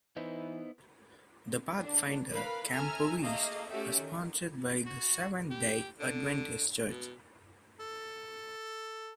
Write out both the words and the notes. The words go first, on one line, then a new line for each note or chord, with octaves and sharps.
The Pathfinder camporees are sponsored by the Seventh-day Adventist Church.
E3 B3 D#4 E4 C5 D#5
D3 D4
A#4 B4 F5 B5
A4 E5 G#5 A#5 F6
A3 A#3 G#4 D#5 F5
A3 C#4 F#4 G4 A4 E5
D#3
F#4
G4
D3
B2
A4